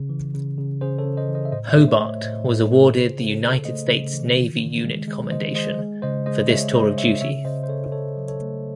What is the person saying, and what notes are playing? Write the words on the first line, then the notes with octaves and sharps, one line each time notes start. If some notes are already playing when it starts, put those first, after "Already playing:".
"Hobart" was awarded the United States Navy Unit Commendation for this tour of duty.
Already playing: C#3
E3
C#3
C#3
C#3 G#4 C5
A4 C#5
C#3
C5 D#5
E3
C5 D#5
E5
A2 C5 D#5
C#5 E5
A3
C5 D#5
A3
C#5 E5
A2 C5 D#5
A2
A4 C#5
A3
A4
C#3 G#4 C5
C#3
A4 C#5
C#3
A3 C5 D#5
C#3
E3
D#3
D#3
G#3
G#3
D#3 C5 D#5
G#3 C5 D#5
G#3
C#3 C5 D#5
G#3 C5 D#5
G#3 C#5 E5
G#3 C5 D#5
G#3 C#5 E5
C#3 C#5 E5
C#3 C5 D#5
C5
C#3 A4 C#5
C#3 A4 C#5
F#3
A4 C#5
A3